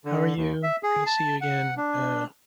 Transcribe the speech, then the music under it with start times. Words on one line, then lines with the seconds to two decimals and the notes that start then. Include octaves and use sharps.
how are you, good to see you, again,'" uh
0.05 D3
0.37 D#2
0.63 E5
0.83 G#4
1.06 A5
1.41 F#5
1.77 D4